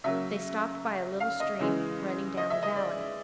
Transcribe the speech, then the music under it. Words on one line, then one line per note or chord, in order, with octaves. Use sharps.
They stopped by a little stream, running down the valley.
C#3 F#3 A#3 E5
F5
D#5
C#3 E3 G#3
D#5
E5
D#5
D5